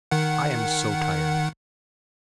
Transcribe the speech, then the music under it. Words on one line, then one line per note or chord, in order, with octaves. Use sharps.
I am so tired.
D#3 F#5